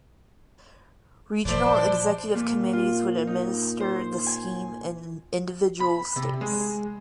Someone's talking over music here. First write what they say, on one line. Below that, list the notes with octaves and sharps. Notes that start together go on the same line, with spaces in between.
Regional executive committees would administer the scheme in individual states.
A#2 F3 D4 E4 C5 D5
A#2
F4
D#4
C5
G#5
B5
C3
G#3